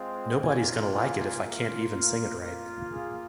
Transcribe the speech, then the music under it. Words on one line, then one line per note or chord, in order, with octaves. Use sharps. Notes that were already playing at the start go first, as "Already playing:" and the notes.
Nobody's gonna like it if I can't even sing it right.
Already playing: G#3 C4 F4
A#3 F4 G#5
G#5
A#3 F4
A#3 F4 A#4
G#4